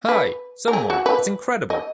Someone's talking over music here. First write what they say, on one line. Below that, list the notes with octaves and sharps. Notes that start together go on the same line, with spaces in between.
Hi! Someone! It’s incredible!
B4
A#4
G#4
F#4
B4
D#5